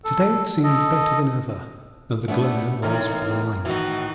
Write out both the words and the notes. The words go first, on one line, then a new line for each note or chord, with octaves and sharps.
To-day it seemed better than ever and the glare was blinding.
A4
A4 D#5
A3 B3 C#4 D4 E4
A2 C3 E3 B3 D#4 A#4
A2 D#3 E3 D#4 F#4